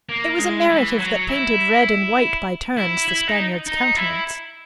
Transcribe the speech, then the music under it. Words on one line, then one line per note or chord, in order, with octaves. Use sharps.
It was a narrative that painted red and white by turns the Spaniard's countenance.
A#3
G#3
E3
F#3
E4
E4
E4
D#4
D#4
E4